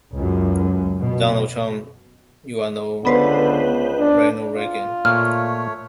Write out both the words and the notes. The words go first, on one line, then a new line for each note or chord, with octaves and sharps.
Donald Trump, you are no Ronald Reagan.
C#2 F#2
B2
C#2 D3 B3 B4 C5
D4
F4
A#2 A3 C#5 F6